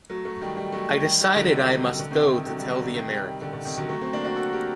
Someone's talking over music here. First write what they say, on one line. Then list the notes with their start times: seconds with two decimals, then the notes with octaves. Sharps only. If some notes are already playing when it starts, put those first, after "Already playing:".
I decided I must go to tell the Americans.
0.10 F#3 A3
0.25 F#3 A3
0.41 D#3 G3
0.57 D#3 G3
0.72 F#3 A3
0.89 F#3 A3
1.04 D#3 G3
1.20 D#3 G3
1.36 D3 F#3
1.52 C3 D#3
1.63 D3
1.76 C3
1.88 C3
1.99 D3
2.11 C3 D#3
2.23 C3
2.35 D3
2.46 D3 F#3
2.58 D#3 G3
2.70 D3 F#3
2.83 D3
2.94 C3 D#3
3.09 D#3 G3
3.42 D3
3.53 D3
3.65 C3 D#3
3.77 D3 F#3
3.89 F#3 A3
4.01 A3 C4
4.13 A#3 D4
4.25 D4 F#4
4.36 F#4 A4
4.53 G4 A#4